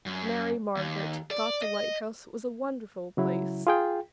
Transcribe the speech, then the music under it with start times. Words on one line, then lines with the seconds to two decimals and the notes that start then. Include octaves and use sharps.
Mary Margaret thought the lighthouse was a wonderful place.
0.06 F#2
0.77 D#2
1.31 D5
1.62 D#5
3.17 C#3 F#3 E4
3.67 F4 G#4 G5